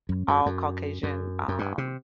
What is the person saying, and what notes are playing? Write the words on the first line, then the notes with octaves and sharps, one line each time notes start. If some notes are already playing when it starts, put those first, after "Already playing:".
all Caucasian, um,
F#2
F#2
F#2
F#2
F#2
G2
C3